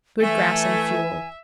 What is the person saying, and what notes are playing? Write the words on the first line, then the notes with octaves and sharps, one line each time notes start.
Good grass and fuel.
E3 A3 E5 G#5